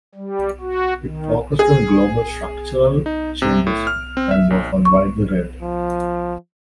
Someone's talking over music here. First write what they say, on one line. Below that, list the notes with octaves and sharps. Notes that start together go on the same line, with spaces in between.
It focused on global structural changes and was not widely read.
G3
F#4
D#3
G#4
D#4
C3
A2
F6
C4
E5
A#1
C#6
F3